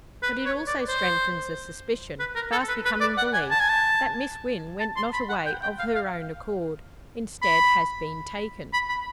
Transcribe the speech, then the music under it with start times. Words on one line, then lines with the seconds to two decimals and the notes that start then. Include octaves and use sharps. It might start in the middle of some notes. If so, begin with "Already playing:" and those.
But it also strengthens a suspicion, fast becoming belief, that Miss Wynn went not away of her own accord; instead, has been taken.
0.23 B4
0.45 C#5
0.67 D5
0.88 C5
2.20 B4
2.35 A#4
2.52 A4
2.68 B4
2.85 B4
3.00 D5
3.17 F#5
3.33 G#5
3.51 A5
3.60 G#5
3.69 A5
4.80 A5
4.96 C6
5.13 B5
5.29 F#5
5.46 G5
5.63 G5
5.79 F5
5.95 F5
7.42 B5
8.73 B5
8.89 B5